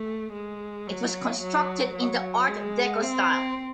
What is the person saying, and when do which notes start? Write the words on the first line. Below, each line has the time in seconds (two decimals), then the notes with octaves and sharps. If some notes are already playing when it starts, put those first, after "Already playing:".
It was constructed in the Art Deco style.
Already playing: A3
0.33 G#3
0.88 F#3
1.41 F#3
1.95 F#3
2.48 G#3
3.03 C4